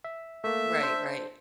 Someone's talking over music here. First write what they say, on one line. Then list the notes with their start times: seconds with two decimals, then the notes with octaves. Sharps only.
Right, right.
0.04 E5
0.44 A3 A#3 E5
0.81 D4 C5